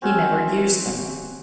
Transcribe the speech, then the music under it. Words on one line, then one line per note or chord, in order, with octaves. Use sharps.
He never used them.
C4 C#4 F#4 F#5